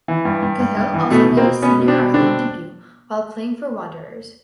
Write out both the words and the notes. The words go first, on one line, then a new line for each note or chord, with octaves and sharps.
Cahill also made his senior Ireland debut while playing for Wanderers.
E3
G2
G2
G2
G2
E3
B2 A3 B3
B2
A#3 C4
B2
B2 B3 C#4
B2
C4 D4
B2
D3 C4 D4